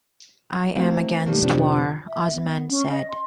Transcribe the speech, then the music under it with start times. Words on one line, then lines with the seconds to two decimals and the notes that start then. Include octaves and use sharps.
"I am against war," Osman said.
0.75 A3 A#3 C4 E4 F#4 F5
1.26 B2 D#3 G3 A3 A#3
1.42 F2 C3 F3 B3 D4
2.08 E5
2.34 B3
2.70 C#4
2.91 D#5
3.10 C6